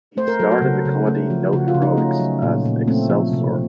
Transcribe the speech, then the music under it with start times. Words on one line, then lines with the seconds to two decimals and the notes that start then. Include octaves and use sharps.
He starred in the comedy "No Heroics" as Excelsor.
0.17 A3 C5
0.28 A#4
0.39 F#3 A4
0.51 F#4
0.62 C#3
0.85 C#3
1.07 A3
1.30 F3
1.53 C#3 F#4
1.68 F4
1.74 C#3
1.82 D#4
1.97 A3 C#4
2.20 F#3
2.42 A#2
2.66 A#2
2.88 A3 C4
3.10 F3
3.33 C3